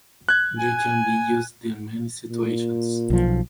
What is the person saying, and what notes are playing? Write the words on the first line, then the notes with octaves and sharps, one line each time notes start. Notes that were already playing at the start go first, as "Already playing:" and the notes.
They can be used in many situations.
F#6 G#6
G#5
A#2
B1 F3